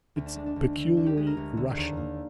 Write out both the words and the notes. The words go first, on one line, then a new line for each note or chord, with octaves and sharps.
It's peculiarly Russian.
D2
D4
G#3 D4
D4
D2
D3
D2 D4
G4
G#3 G#4
A#4
D2
D3
D#2
A#3